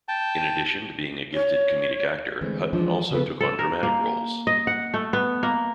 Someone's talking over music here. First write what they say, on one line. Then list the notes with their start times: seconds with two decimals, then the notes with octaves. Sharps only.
In addition to being a gifted comedic actor, Hutton also took on dramatic roles.
0.08 G5 A5
1.34 C#5
2.41 D3 E3 G#3 A3 C4
2.73 E3 F3 G#3 D4
3.11 C#3 F3 B3 C4 A4 B4
3.41 A4
3.59 A#4
3.83 A#3
4.47 D#5
4.67 F#5
4.94 A3
5.13 B3
5.43 A#3